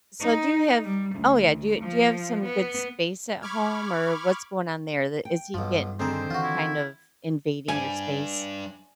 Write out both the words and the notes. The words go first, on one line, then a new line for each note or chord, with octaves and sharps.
so do you have oh, yeah, do you do you have some good space at home, or what's going on there? The is he getting kind of invading your space?
D#4
G3
D2
F3
B3
B5 C#6 D6 F6 G#6
G5
B1 G2 F3
D3 D#3 G#3 C4 G#4 C5
E3 F4 F#4
E4
G3 D4 G#5